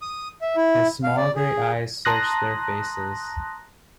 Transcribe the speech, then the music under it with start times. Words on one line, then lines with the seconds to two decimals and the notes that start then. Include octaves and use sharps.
His small grey eyes searched their faces.
0.02 D#6
0.42 E5
0.56 E4
1.04 F5
1.17 D5
1.36 G#4
2.05 A5 A#5 C6 D#6 F#6 A#6